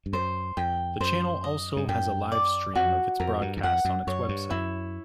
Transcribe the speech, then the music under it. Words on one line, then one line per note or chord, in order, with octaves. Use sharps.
The channel also has a live stream of its broadcast on its website.
G2
F#2 C5
F2 G5
F#2 C5
D#5
G2
F#2 G5
D5
F2 F#4
F2 A#4
G2
E2
F2 F#5
F#2
F#2 C#5
G2
F#2 E4